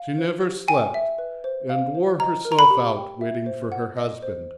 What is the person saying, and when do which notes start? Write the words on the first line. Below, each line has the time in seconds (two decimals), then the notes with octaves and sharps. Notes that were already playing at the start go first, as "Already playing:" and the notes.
She never slept, and wore herself out waiting for her husband.
Already playing: F5
0.18 C5
0.43 G4
0.68 G5 G#5
0.94 E5
1.18 B4
1.44 C5
1.70 F5
1.95 C5
2.20 D#5 A#5
2.45 A#4
2.52 A#5
2.59 B5
2.71 G4
2.97 G5
3.21 E5
3.46 C5
3.72 F#5
3.97 D#5
4.23 C5